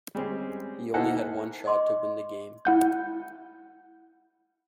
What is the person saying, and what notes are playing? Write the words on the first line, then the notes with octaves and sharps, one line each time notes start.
He only had one shot to win the game.
G3 G#3 C4 C#4 G4
A#3 D#4 E4 A4 C5 F#5
D#5 C6 D6
E4 F#5 G6